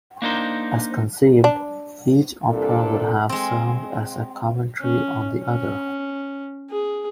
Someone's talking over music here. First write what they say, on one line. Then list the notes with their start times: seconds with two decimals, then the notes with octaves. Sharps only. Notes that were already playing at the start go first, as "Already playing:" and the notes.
As conceived, each opera would have served as a commentary on the other.
0.22 A#3 D4 D#4 A#4 C5
1.44 D4
2.49 C2 A#2 D4 A4
3.29 G#3 C4
4.81 C#4
5.41 C#4
6.70 G#4